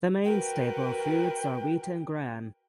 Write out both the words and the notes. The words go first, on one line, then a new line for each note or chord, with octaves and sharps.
The main staple foods are wheat and gram.
F#4 A#4 B4 G5